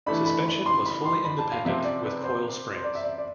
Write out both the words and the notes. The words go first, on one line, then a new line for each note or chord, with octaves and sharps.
Suspension was fully independent with coil springs.
E3 A3 D4 B5
B5
B5
C6
B5
C6
B5
A5
F5
C3 F3 C4 E5
D5
B4
C5
C5
D5
E5
D5
D5